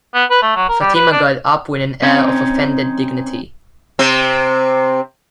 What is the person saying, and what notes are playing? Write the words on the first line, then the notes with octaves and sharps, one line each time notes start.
Fatima got up with an air of offended dignity.
B3
B4
A3
F#3
A#4
G3
B4
D4
C4 C#4 D#4 C5 C#5
C3 C4